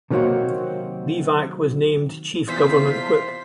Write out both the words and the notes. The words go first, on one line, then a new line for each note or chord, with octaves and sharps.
Levac was named chief government whip.
C3 D#3 F#3 A#3 C4 F#4
E2 C3 F4 C5 B6